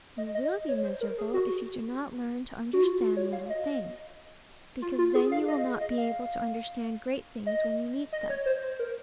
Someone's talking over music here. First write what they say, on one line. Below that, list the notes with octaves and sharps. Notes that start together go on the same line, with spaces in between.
You will be miserable if you do not learn to understand little things: because then you will not be able to understand great things when you meet them.
D#5
D#5
D#5
C#5
C5
A#4
G#4
F#4
F#4
F4
F#4
C#5
F5
D#5
F4
F4
G#4
F5
D#5
D#5
F5
D#5
D#5
C#5
C5
C5
A#4